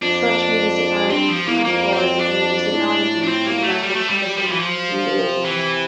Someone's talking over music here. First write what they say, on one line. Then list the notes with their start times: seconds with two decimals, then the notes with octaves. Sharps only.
Such municipalities are called the municipalities with language facilities in Belgium.
0.01 F2 D4
1.10 G2 C4
1.29 F3
1.46 E2 A#3
1.65 F2 A#3
1.92 C4
2.20 D4
2.73 A2
3.23 D4
3.28 C4
3.47 A#3
3.63 A3
3.83 G3
3.95 A3
4.09 G3
4.37 G3
4.44 F3
4.52 E3
4.59 F3
4.91 D3
5.06 D3
5.18 C3
5.45 E3